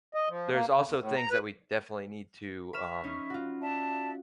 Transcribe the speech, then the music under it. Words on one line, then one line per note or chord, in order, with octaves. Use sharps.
there's also things that we definitely need to, um,
D#5
F3
A#3
C#3
E2
A2
A#5
B4
E5 B5 C#6 F6 E7
C#4 D#4
F4 F#4
D5 E5 A5